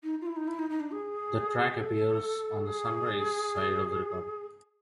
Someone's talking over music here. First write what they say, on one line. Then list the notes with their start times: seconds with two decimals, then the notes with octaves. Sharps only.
The track appears on the "Sunrise" side of the record.
0.03 D#4
0.21 F4
0.26 E4
0.36 D#4
0.47 E4
0.58 D#4
0.69 D#4
0.80 D4
0.91 G#4
1.78 A4
2.66 G#4